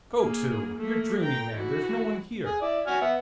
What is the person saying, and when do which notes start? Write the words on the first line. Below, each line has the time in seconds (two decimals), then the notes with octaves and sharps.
'Go to!--you're dreaming, man!--there's no one here.'
0.17 A#3 G#4
0.77 A3 A#3
1.21 G5 A#5
1.54 E3 F#4
2.45 G#4
2.62 E4 D5
2.87 F#4 G#5 F6
3.01 B3 E5 F#5